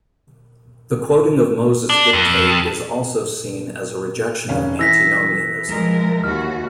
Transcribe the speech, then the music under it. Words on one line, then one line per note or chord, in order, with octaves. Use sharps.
The quoting of Moses' dictate is also seen as a rejection of Antinomianism.
D4
F2
F1 C#4 F5
E3 E6 A#6 B6
F3 G#3 A#4
D#2 F#4 F6